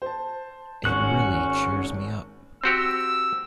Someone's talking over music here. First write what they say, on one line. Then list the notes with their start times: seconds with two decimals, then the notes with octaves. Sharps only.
It really cheers me up.
0.02 C5 A5
0.85 G#1 C#4 F#4 F#6
2.64 C4 F#4 G4 E6